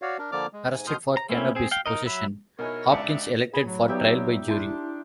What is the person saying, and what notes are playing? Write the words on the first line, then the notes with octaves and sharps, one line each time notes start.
Arrested for cannabis possession, Hopkins elected for trial by jury.
F#4 C#5 D5 F5
D4 A#4
D3 F3 A#3 D5 D6 F6
G#3
G#2 G#5
B2 D#3 C6 D#6 F6 G6
A#5
A3 A#3 C4 C#4 E4
C4 G#4
F5 G5
D#4 A#4 D#5
F#3 E5 B5
B2 D#4 E4 A#4 C#5 G#5
C#2 D5 E5 A5 C#7
G#4 B5
A2 F#3
B3 D#4 G4 D5 E5
D4 E4 A5 C6